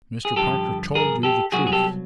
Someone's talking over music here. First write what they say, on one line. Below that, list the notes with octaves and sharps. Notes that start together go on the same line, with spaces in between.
Mr. Parker told you the truth.
G#4
G2 D3 F3 G4 A4
G#4 A#4
G4 A4
C2 B2 F#3 F#4 G#4
G#4
G4 A4